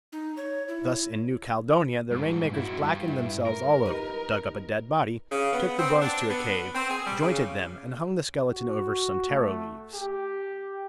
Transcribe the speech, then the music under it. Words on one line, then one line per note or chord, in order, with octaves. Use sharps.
Thus in New Caledonia the rain-makers blackened themselves all over, dug up a dead body, took the bones to a cave, jointed them, and hung the skeleton over some taro leaves.
D#4
C#5
E4
G2 G#3
E4 F#4
G2
E4
A#4
D#4 G4 B4
C#3
B3
C4
D4
B3
C4
G#4
G3
C#3
F#4
A3
G4